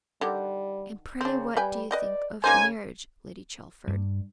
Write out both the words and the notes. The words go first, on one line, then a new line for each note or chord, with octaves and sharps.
'And pray what do you think of marriage, Lady Chelford?'
D3 D#3 G3 G4
C#3 C4 D4
G3 B4 G5 G#5
B4 D5 D#5 G5
C#3 A#3 D#4 C5 G#5
G2